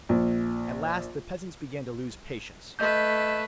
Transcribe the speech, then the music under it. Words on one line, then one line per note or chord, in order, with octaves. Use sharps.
At last the peasants began to lose patience.
A#1
A3 B4 D#5 G6